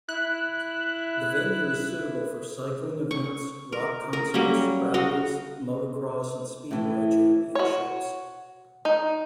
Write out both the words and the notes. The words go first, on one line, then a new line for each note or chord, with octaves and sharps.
The venue is suitable for cycling events, rock concerts, rallies, motocross and speedway championships.
E4 F#6
C#6
A#4
A#4
F#3 G3 A#3 C#4
F#4 D#5 F5
A2 E3
F#4 C#5
D#4